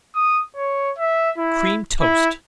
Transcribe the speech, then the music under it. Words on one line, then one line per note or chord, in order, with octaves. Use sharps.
Cream Toast.
D#6
C#5
E5
E4
E4